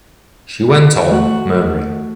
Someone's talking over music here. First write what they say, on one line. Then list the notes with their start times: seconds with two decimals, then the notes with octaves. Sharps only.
She went on, murmuring.
1.10 A3 F#4 F#5